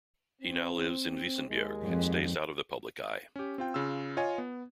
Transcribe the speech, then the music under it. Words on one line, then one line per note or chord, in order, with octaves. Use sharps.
He now lives in Vissenbjerg, and stays out of the public eye.
C4
D#2 G#3
F2
C#4 G4
C4 F4 G5
C#3 F4 E6
F4 C#5 D#5 G#5
B3